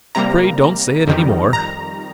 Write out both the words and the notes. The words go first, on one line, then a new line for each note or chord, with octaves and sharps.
"Pray don't say it any more."
C3 G3 A#3 A#5
F2 D#3 G3
A#5